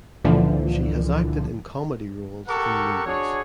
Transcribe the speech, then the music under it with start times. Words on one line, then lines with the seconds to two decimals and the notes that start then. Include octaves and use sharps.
She has acted in comedy roles in movies.
0.24 C#2 A#2 D3 E3 F3
2.48 G4 A4 A#4 F#5 C#6
3.05 D4 F#4 G#4 C#5